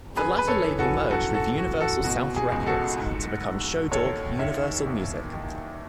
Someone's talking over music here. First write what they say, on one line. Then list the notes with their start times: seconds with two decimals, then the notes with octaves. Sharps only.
The latter label merged with Universal South Records to become Show Dog-Universal Music.
0.16 F#2 G#4 B4
0.39 B4
0.48 A4 C#5
0.64 E3
0.79 F#4 A4
1.10 F#2 F#4 A4
1.34 F#4 A4
1.58 E3 F#4
1.80 F#4 A4
2.04 B2 F#4
2.36 G#4
2.52 C#2
2.66 F#4 A4
2.98 G#2
3.45 G#2
3.92 D#2 A4 C#5
4.39 D#3 C#5 E5
4.86 E2
5.33 D#3